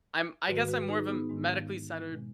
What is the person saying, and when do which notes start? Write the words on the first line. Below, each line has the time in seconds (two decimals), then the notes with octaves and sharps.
I'm I guess I'm more of a medically centered
0.48 G#2 D#3 G#3 F#4 B4
0.68 F#4 B4
0.89 D#4 G#4
1.08 B3 D#4
1.29 G#2 D#3 G#3
2.10 B2 G#3